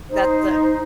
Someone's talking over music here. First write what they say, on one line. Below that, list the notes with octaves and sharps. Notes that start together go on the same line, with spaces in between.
that the
D#4 C5